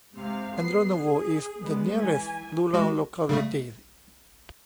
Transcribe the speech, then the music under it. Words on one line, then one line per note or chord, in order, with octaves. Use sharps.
Andronovo is the nearest rural locality.
G#2 C3 F5
B3 C7
G#4
G3 G#3 B3
E3 G#5
G#3 F#4
C#3 G3 A3